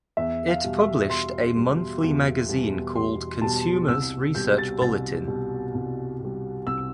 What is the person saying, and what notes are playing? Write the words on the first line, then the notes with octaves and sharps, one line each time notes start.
It published a monthly magazine called "Consumers' Research Bulletin".
E2 E5
F5
B2 G3
E5
E2 C6
B2 G3
E2
B2 G3
E2 C6
B2 G3 A5
C2 E6
B2 G3 G6
A6
C2 A6
B2 G3
C2
B2 G3
C2 E6